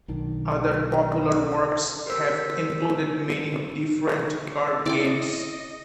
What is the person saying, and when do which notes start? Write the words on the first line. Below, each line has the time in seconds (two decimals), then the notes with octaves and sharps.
Other popular works have included many different card games.
0.08 B1 D#3 D4
2.06 G4 A#4 C5 C#5 E6 B6
4.86 E4 D5 D#5 D6